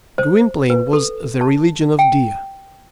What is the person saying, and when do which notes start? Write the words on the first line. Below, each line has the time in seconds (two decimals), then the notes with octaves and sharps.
Gwynplaine was the religion of Dea.
0.18 C5
0.70 B4
0.93 A4
1.41 A5
1.99 G5